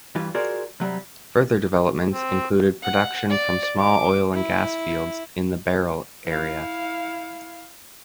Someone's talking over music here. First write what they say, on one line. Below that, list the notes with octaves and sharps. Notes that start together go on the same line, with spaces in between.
Further developments included production from small oil and gas fields in the Beryl area.
G2 E3 G3 F4
F4 F#4 G#4 A#4 C5 D5
C3 F#3 G3
C4
F#5
D5
D6
E4
E4 F5